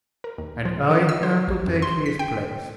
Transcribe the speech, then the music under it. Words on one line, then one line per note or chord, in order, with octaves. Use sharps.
"And I am to take his place."
A#4
D#2
F3
A4
E6
C5
A#1
F#2
C6
B6
G5